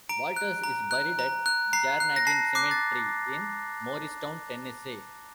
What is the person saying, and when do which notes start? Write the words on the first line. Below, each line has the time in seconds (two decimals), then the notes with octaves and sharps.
Walters is buried at Jarrnagin Cemetery in Morristown, Tennessee.
0.09 A#5 D7
0.36 F#6
0.64 A#5
0.91 F#6
1.19 A#5
1.46 F#6
1.73 A#5 C7
2.00 F#6
2.16 A#6
2.27 A5 C7
2.55 D6 F#6 C7
2.71 A6